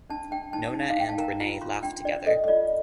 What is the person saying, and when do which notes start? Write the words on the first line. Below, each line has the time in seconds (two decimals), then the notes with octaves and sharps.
Nona and Renee laugh together.
0.10 D4 A5
0.31 D4 G5
0.53 D#4 A5
0.74 D#4
0.90 F5
0.97 D#4 G5
1.09 A5
1.18 A#4 A#5
1.40 F4 A#5
1.61 F4 C6
1.83 D4 G5
2.05 D4 D5
2.26 A4 D#5
2.44 D#5
2.48 F4 D5